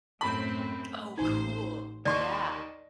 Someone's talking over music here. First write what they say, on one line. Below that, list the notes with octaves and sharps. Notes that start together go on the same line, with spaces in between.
Oh, cool. Yeah.
F#2 A2 C4 B5
A1 D#4 C5 G#5
D#2 D#3 D5 A5 C6 C#6